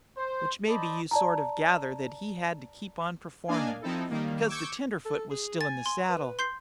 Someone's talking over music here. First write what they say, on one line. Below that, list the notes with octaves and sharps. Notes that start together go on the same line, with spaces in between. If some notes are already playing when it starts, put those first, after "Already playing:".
Which maybe you sort of gather that he had to keep on performin', because the tenderfoot was still in the saddle.
C5
C5 D5 D#5 A5 B5
D5 A5 A#5
A#3 D4 D5 D#5 F5 G#5
F3 C4 D#4 E4 A4
D#3 G3 A#3
C#6 D6 E6 G6 G#6 C#7
A4
G#4
G#5 A6
C6
B4
C6 G6 C7